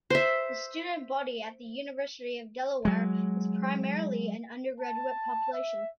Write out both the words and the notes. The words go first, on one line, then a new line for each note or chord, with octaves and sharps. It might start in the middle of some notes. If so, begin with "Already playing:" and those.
The student body at the University of Delaware is primarily an undergraduate population.
C5 E5
F#3 G#3
A5
E5